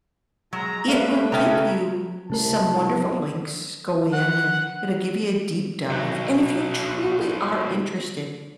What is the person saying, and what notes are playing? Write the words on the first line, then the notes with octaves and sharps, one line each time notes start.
It will give you some wonderful links, go in and it'll give you a deep dive, and if you truly are interested,
F#3 G#3 A#5
G3 A3 D4 B4 F5
C#3 C#4 A4 E5 G5 A#5
C2 C#3 A3 A#4 A5
F#5
F#3 D#4